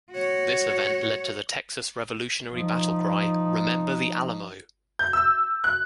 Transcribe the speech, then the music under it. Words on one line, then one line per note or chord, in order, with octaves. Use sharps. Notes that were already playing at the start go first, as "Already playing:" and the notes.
This event led to the Texas Revolutionary battle cry Remember the Alamo!
F#4 C#5
F3 D#4
G6
E6
F#6